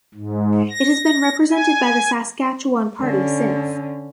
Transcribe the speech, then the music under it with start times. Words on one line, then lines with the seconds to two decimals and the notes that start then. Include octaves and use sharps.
It has been represented by the Saskatchewan Party since.
0.14 G#2
0.71 A#6
1.51 G#5
3.00 D3 C#4